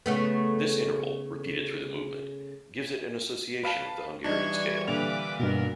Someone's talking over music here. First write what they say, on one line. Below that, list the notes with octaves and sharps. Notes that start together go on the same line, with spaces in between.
This interval, repeated through the movement, gives it an association with the Hungarian scale.
C#3 A3 B3
B4 F5 A5
E3 G3 D4 D#4 C#6 G#6
A#2 D3 B4 D6 F7
G2 B2 B3 A#4